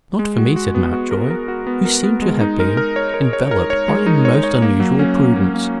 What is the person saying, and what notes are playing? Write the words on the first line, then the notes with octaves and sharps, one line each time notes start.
"Not for me," said Mountjoy, who seemed to have been enveloped by a most unusual prudence.
G#3
F#4
F#4
B3
F#4
A#4
A#4
F#4
B3
A#4
B3
G#3
D#4
A#4
A#4
C#5
A#4
C#5
A#4
C#5
G#3
D#4
C#5
C#5
A#3
F#3
C#4
A#3
A#3
A#3